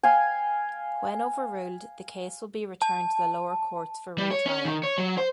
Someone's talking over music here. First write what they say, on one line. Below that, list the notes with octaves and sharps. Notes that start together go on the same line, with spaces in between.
When overruled the case will be returned to the lower courts for retrial.
F5 G5 G#5
A5
G3
C#5
C#4
D#3
C#5
F#3
C5